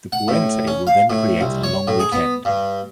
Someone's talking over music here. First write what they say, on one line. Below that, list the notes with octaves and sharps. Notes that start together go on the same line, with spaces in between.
The puente will then create a long weekend.
F#5
A2
C#4
F5
A2
C2
C#5
A2
G#4
B3
G2